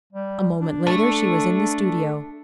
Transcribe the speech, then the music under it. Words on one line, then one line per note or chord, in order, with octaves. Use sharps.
A moment later she was in the studio.
G3
D4
A3